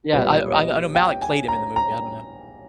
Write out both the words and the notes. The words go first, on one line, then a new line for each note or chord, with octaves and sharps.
Yeah, I o I I know Malek played him in the movie, I don't know.
B1 A#2 G3 B4
C#5
D#5
G5
G#5
A#5
A#5